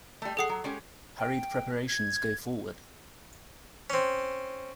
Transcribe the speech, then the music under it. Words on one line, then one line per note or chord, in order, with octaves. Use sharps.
Hurried preparations go forward.
G3 A3
G#4 A4 F#5 D#6 C7
F#3
G#3 C#4 G4
G5
G#6
C4 C#4